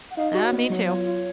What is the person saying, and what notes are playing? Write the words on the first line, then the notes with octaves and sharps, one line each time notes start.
Uh, me too.
F#5
D#4 F5
D#5
F#4
C#5
B3 D#5
F#3 C#5
F4
F4